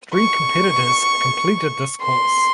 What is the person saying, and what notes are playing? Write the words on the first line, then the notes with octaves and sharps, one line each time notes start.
Three competitors completed this course.
C#6
C6